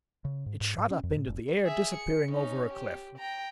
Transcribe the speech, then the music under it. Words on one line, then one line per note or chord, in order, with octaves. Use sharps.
It shot up into the air, disappearing over a cliff.
C#3
G#2
G#2
G#2
C#4
F2
A2
F1
G#4 E5
C#7
C#4 D#4
G4
G5 A#5